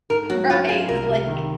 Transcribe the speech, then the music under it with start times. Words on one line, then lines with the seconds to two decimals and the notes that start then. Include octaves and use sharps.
Right, like
0.10 G#2 A#4
0.30 F#3 F#4
0.49 C#4 F4
0.69 F4 G#4
0.89 C2 A#4
1.08 C3
1.28 D#3